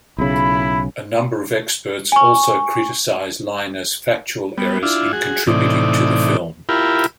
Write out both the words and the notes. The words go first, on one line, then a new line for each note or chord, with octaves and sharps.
A number of experts also criticised Lynas's factual errors in contributing to the film.
B1 C#3 E4 B5
G#5 C#6
G3 B3
D4 E4 F4
F#4 G#4
A2 C3 E3 D#4 D5
E4 F4 G4 A#4 B5